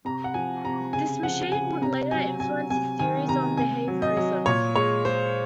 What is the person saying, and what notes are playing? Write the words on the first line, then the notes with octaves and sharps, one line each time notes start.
This machine would later influence his theories on behaviorism.
C3 A#5
F#5
F3 G#5
C3 A#5
C#3 G#5
F3 F#5
C#3 G#5
C3 A#5
F#3 G#5
F#3 G#5
C3 G#5
D#3 G#5
C3 A#5
C3 G#5
F#3
D#5
F#3
A#2 C#5
G#3 C#5
G#3 C5